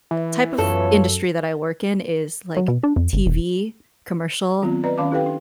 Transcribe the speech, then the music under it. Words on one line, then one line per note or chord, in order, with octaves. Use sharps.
type of industry that I work in is, like, TV commercial
E3
F#2 B3 F4 A4 C#5
F#3
B2
D4
F2
G1
E1
D#3 F#3 B3 C4 F4
B4 D5 D#5 A#5
D#3 C#4 F5 A5 D6
E4 G4 A4 B4 F5 G5
D4